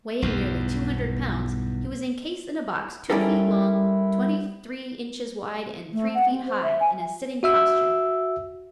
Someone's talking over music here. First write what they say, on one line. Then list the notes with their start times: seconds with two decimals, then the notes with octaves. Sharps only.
Weighing nearly two hundred pounds, he was encased in a box two feet long, twenty-three inches wide, and three feet high, in a sitting posture.
0.22 B1 E2 G2
3.10 G3 C#4 E4 G4 A4 A#4
5.93 A3
6.15 F#5
6.30 C4
6.47 C5
6.63 E5
6.80 G#5
7.43 F#4 E5 E6